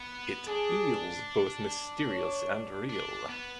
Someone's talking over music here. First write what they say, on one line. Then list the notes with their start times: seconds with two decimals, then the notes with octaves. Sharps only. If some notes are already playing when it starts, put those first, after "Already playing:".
It eels both mysterious and real.
Already playing: B3
0.47 D4 G#4
2.08 C#5
2.89 D4
3.29 B3